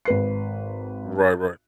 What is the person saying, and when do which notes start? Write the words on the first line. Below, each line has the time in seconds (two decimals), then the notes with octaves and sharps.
Right, right.
0.05 G#1 B4 C7